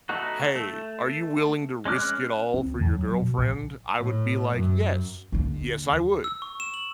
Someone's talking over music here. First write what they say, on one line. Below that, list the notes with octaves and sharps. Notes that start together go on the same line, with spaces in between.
"Hey, are you willing to risk it all for your girlfriend." I would be like, "Yes, yes, I would.
A3 B3 D#4 F#4
A3
G#3 C#4 D6 F6 F#6
C4
D2
E2
F#3
F#3
B2
A#1
A2
F#2
D#2 D3
E6
C#6
E7
F#7